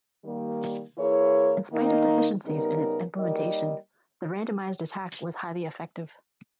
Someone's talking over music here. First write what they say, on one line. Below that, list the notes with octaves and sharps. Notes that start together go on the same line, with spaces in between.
In spite of deficiencies in its implementation, the randomized attack was highly effective.
D#3 G3 A#3
E3 A#3 E4 G#4 C#5
D#3 A#3 D#4
C#3 G3 B3 D#4 A#4
G3 A#3 D#4 A#4 D#5